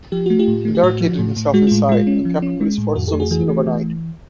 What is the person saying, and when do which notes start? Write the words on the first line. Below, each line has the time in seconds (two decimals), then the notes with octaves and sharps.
He barricaded himself inside and kept police forces on scene overnight.
0.12 F3 G4
0.26 A3 F#4
0.39 F4 G4
0.48 A2
0.65 A3
0.75 G4
0.83 A2 F#4
1.01 F3
1.19 A2
1.36 A2
1.54 G#3 F#4
1.67 A2 F4
1.89 G#3 F4
2.07 C#4
2.25 F3
2.42 C#4
2.61 G#3
2.78 A2
2.96 F2 F#4
3.07 G4 A4
3.13 A3
3.20 F#4 G#4
3.31 E3 F#4 G#4
3.49 A3
3.66 E3